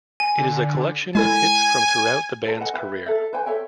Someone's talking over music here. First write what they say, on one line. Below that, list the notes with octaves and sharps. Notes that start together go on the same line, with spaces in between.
It is a collection of hits from throughout the band's career.
G#5
D3
G#3 E4 A4 G#5
A4 C5 A5
B4 D#5 F#5 G#5
B4 E5 G5
A4 E5
B4 C5 G5 G#5
A4 C#5 E5 G5